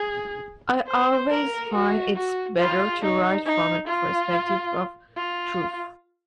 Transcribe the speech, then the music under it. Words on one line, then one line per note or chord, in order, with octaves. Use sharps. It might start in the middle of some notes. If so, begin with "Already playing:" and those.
I always find it's better to write from a perspective of truth.
Already playing: G#4
C5
A#4
F#4
F#4
F4
D#4
D#4
F4
F4